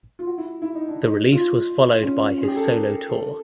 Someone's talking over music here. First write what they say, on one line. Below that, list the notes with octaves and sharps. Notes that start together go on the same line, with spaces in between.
The release was followed by his solo tour.
F4
F#4
E4
E4
D#4
D4
D#4
F4
C#4
C#4
G#4
G4
A4
A#4
A4